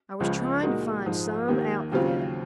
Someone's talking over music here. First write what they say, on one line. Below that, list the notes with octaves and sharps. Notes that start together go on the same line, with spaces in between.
I was tryin' to find some outfit.
C#2 C#3 F3 G#3
A#2 G#3 D#4 F#4 A#4
G#2 F3 G#3
D#2 D#3 A#3
D#2 C#3 F#3 C4 F4